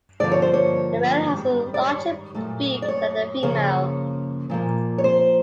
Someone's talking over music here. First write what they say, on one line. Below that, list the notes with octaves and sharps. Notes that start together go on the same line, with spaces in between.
The male has a larger beak than the female.
G2 D3 F3 A#3 D5
C#5
C5
C#5
G#2 D#3 G3
D5
C#5
A#2 F#3 A3
D5
C#5
C#3 F3 A#3 C#5
A#2 F3 A#3
C#5
C5